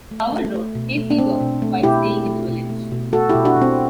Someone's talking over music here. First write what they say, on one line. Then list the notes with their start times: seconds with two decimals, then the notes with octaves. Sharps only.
Coward wrote "Hay Fever" while staying in the village.
0.11 A3
0.32 A3
0.54 A3
0.75 B2
0.97 A3
1.10 D4
1.18 A3 C4
1.41 B2
1.62 A3
1.83 B2 E4 G4
2.05 A3
2.26 A3
2.48 B2
2.70 A3
2.92 B2
3.13 A3 F#4 A4
3.29 E4 G4
3.35 B2
3.45 D4 F#4
3.57 B2 C4